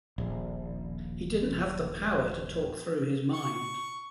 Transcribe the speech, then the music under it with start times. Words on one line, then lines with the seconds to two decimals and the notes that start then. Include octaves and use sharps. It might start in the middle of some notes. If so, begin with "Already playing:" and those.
He didn't have the power to talk through his mind.
0.18 D#1 A#1
3.33 C#6